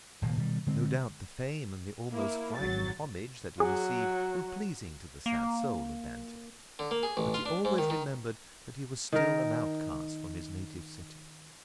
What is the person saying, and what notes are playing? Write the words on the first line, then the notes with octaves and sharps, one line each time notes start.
No doubt the fame and the almost frightened homage that he received were pleasing to the sad soul of Dante, but he always remembered that he was still an outcast from his native city.
F1 A#2 D#3 A#3
B2 D#3 G3
D3 G#3 C4
A#3 E4
G#1 F#3 A6
F#3 G#4
A#3
D3
A#3
G#4
A1
F4
D4
G#2
D#3
D#3
D#3 A#4